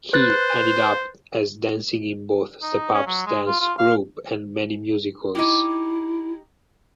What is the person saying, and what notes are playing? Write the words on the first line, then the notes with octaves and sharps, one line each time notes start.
He ended up as dancing in both Stepup’s dance group and many musicals.
B4 C5 F#6 A6
D#4
C#4
F#3
G#3
F4
F4
F5
D#4 E4 G4